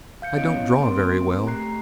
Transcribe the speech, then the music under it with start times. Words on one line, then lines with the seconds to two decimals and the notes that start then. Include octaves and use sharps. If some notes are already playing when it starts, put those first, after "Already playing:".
"I don't draw very well."
0.22 F5 G6 C#7
0.37 B3 C#4 E4 C#5 D#5 D7
0.80 A#3 C4 A#4 C6 D7
1.45 A3 G4 A#5 F#6 C7